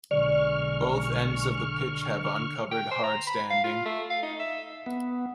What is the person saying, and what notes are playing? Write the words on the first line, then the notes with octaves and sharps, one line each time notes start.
Both ends of the pitch have uncovered hardstanding.
B1 D3 G#3 D5 C#6 F6
G5
C5
A#5
B5
F5
F4
A3
F5
D#4
E5
B3